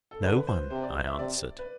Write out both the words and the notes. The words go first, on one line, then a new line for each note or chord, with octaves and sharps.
"No one," I answered.
A4
D3 B4
B4
C5
C3 C5
D5
E5
C3 D5
B4